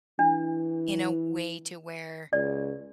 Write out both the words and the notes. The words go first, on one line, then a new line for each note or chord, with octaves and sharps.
in a way to where
E3 D4
C#2 D5